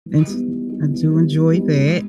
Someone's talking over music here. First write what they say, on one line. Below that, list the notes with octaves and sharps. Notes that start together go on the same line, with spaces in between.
and s I do enjoy that.
E3
G3 B3 D#4
E3
G3 B3 D#4
E3
G3 B3 D#4
E3
G3 B3 D#4
G#2